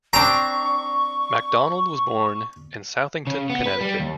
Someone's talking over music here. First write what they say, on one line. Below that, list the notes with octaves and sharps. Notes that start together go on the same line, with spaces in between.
MacDonald was born in Southington, Connecticut.
C4 D4 A#5 C#6
C#3
B3
B4
G3
D#2